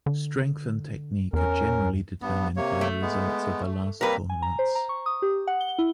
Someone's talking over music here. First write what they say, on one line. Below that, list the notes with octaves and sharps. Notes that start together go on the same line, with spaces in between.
Strength and technique are generally determined by the results of the last tournaments.
D3
E2 C#4 A#4
G2 B3
C3 A#3 C#5
A3
G#3 B3
G3 A#3 C4 A#4 B4
G#5
A#5
C5
A#5
C#6
D#6
G4
F#5
G7
E4